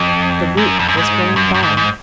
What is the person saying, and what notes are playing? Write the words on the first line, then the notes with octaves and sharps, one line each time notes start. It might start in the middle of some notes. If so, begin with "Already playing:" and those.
The week was going by.
Already playing: F2
F#2
F2
F#2
G#2
F#2
F#2
G#2
G#2